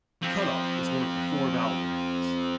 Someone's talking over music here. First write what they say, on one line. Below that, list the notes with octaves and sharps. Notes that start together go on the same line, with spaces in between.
Cutoff is one of the four valve events.
F3 C4